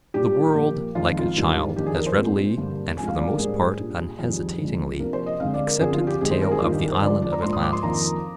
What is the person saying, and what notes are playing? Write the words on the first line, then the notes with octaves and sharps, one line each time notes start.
The world, like a child, has readily, and for the most part unhesitatingly, accepted the tale of the Island of Atlantis.
A#2 G3 D4 G4
A#2 F3 A#3
F2 D#3 G#3 C4 F4
F4
G#2 D#3 G3 A#3 D4
F2 D#3 A#3 D4 G4
G#4
A#4
C5
A#2 G#3 C4
G2 D3 G3 A#3 D4
C3 F3 G#3 D4 G#5
F5
D5
A#4
G#2 G3 A#3 D4 G#4
A#2 G3 D4
F2 D#3 G3
D3 F3 G#3 C4
C3 F3 A#3 D4 A#4
C5
D#5
D3 G#3 C4 F5
D5
A#4
D3 F3 C4 G#4
F4
G4
C3 D#3 G#3 C4 G#4
C5
A#4
G#4
G2 D#3 A#3 D4 F4
G4
A#4
C5
D3 F3 G#3 D4 D5
D5
A#5
G#2 F3 A#3 D4 C6
D#6
D6
C6
F2 D#3 A#3 D4 A#5